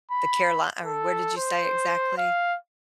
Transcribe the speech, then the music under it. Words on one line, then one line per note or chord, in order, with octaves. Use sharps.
the Caroli Um, where did you say exactly?
B5
A4
C5
F5